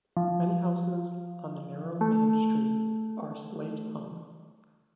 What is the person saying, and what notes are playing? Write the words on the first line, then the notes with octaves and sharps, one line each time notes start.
Many houses on the narrow main street are slate hung.
F3
A3